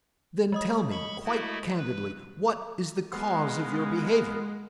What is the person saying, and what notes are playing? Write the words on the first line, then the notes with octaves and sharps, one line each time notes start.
"Then tell me, quite candidly, what is the cause of your behaviour?"
G#3 D#5 D#6
B5 C#6
A3 E4 F#4
B4
G#3 B3 F5